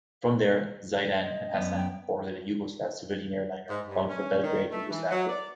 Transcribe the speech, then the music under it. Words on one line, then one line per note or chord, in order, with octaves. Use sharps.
From there, Zaidan and Hassan boarded a Yugoslav civilian airliner bound for Belgrade, Yugoslavia.
D#5
F#2 B3
G5
G#2
G2
C#4
D#3
A3
E3
F#3
D5